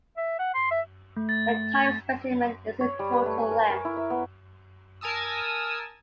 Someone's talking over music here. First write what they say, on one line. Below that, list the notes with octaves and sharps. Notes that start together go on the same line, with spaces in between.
The type specimen is in total length.
E5
F#5
C6
E5
A3
A6
C#5
G3
B4
A3
G#5
A#4
A#4
E4
E5
B3
A#4 G#5 A5 D#6 E6